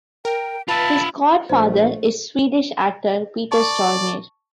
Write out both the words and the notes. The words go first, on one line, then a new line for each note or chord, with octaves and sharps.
His godfather is Swedish actor Peter Stormare.
A#4 G5
F4 B4 E5 A5 B5
A#1 A3 C5
D5 A5 C#6